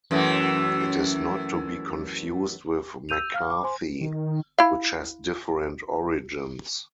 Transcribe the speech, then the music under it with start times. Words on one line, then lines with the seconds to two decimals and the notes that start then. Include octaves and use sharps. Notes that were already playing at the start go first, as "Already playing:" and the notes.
It is not to be confused with McCarthy, which has different origins.
0.11 F#2 E3 A3
3.09 E6 G6 D#7 F7
3.34 F5 F6
3.50 D6
3.63 C5 G#5 C6
4.01 D#3
4.58 E4 F5